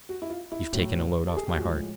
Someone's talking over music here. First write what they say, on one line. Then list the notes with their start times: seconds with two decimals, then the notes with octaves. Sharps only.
You've taken a load off my heart....
0.09 F#4
0.22 E4
0.30 F4
0.52 E4
0.73 A2 F#3
1.27 A4
1.37 G#4
1.47 G4
1.56 A2 F3 G#3 F#4